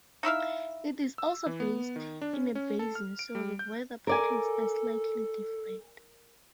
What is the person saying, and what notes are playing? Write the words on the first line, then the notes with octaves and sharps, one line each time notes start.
It is also based in a basin so the weather patterns are slightly different.
D#4 E4 E5 F5
E6
E3
B3
D#3
D4
C#4
C#4
A4
F6
D7
G3
G6
A4 A#4 D5 G#5